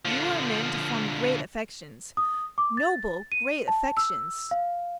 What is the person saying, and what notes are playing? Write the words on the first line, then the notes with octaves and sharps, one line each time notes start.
You are a man to form great affections,--noble, great affections.
D3 F3
D#6
D6
A6
D#7
A5
E6
F5